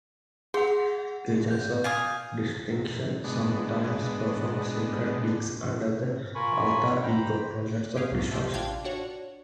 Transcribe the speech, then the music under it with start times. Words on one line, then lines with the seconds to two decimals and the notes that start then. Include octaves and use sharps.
Kitchens of Distinction sometimes performed "secret" gigs under the alter ego Toilets of Destruction.
0.54 G#4 F#5 C6
1.50 G6
1.84 F5 G#5 D#6
3.24 G#3 B3 D4
6.35 F4 A#4 G#5 B5 C#6
7.03 C5 G5 A#5 B5
7.96 G4 G#4 F5
8.12 C2 F2 F#3
8.31 A3 F4 G4 C5
8.54 A1 D4 F4 F5 G5 G#6
8.85 D4 F#4 C#5